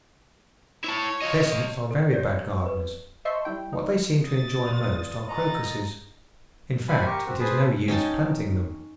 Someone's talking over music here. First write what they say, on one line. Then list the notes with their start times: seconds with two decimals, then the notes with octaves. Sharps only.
Pheasants are very bad gardeners; what they seem to enjoy most are Crocuses--in fact, it is no use planting them.
0.85 E4 C#5 A5
1.22 F4 D#5
1.91 A4
2.13 G4 C#5 D5
2.66 B4
3.25 C5 D#5 E5 A5 C6 C#6
3.45 G3 E4 G5
3.73 D#4
4.25 D#6 A6
4.66 F4 B4 D5
5.28 D#5 F#5 A#5 A6
6.88 C5 G#5 B5
7.06 G4 A#4 C#6
7.26 C4 F#4
7.40 G#4 B4 C5 A5
7.88 C#4 D#4 G5 A5